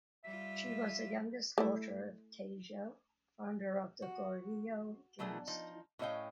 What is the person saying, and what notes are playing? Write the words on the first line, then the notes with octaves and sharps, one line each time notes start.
She was the youngest daughter of Taejo, founder of the Goryeo dynasty.
G3 F4 E5
A3 E4
F#4
B2 F#3 A3 D4 G#4 A#4
F3 D#4
A2 C#4 C#5 D#5 F5 G5